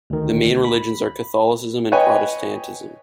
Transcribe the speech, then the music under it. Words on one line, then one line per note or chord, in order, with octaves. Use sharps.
The main religions are Catholicism and Protestantism.
D2 D#3
B5
B4 C#5 D#5 G5 G#5